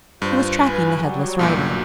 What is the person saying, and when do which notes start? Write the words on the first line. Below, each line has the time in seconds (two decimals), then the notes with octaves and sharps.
He was tracking the headless rider.
0.22 G2 F4 C5
0.62 F4 B4 G#5
1.01 F#3 G3
1.39 B1 G2 A#2